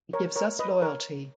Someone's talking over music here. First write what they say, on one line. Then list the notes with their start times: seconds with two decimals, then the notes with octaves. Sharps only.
He gives us loyalty.
0.13 A#4 C#5
0.36 A#4 C#5
0.59 B4 D#5
0.82 A#4 C#5